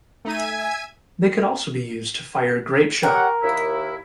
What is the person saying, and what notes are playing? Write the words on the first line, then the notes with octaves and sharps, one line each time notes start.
They could also be used to fire grapeshot.
A3 D#4 E5 G#5 G#6 D#7
G4 A#4 C#5 F#5
D#2 E4